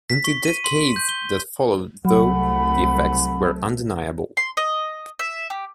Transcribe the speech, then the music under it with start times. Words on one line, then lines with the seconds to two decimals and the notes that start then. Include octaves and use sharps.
In the decades that followed, though, the effects were undeniable.
0.10 B6
0.24 C#6
0.45 D#7
0.64 C6
0.96 G6
1.09 G7
2.05 C2 F#3 A3 F#5 B5
4.37 C6
4.57 D#5
5.19 E5
5.50 G4